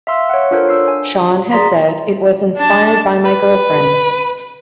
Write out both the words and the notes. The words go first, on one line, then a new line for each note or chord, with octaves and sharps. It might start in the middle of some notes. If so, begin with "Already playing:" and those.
Sean has said it was "inspired by my girlfriend".
E5 F5 C6 E6
C#5 F#5
D4 F4 A4 A#4 C5 C#5
D4 E6 C7
G#5
G#4 D5 A#5 C6 B6
D4 A5
B4